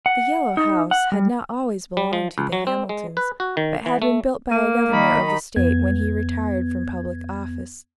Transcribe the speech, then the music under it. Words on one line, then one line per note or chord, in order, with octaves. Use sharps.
The Yellow House had not always belonged to the Hamiltons, but had been built by a governor of the state when he retired from public office.
F#5
D#4
F#5
G3
G3
F3
C#2
F#3
C4
G#3
B4
F#4
D#3
E3
A3
A#3
D#3 D#4 B5
F2 B3 G#6